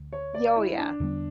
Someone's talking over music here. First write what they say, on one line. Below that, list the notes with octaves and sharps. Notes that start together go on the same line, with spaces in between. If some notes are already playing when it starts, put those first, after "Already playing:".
Y oh, yeah.
Already playing: D2
C#5
D5
E4
D4
E2 D3 G3 B3